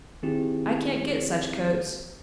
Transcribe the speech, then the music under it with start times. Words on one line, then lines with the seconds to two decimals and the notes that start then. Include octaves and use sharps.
I can't get such coats.
0.23 D#3 C4 E4 G4 G#4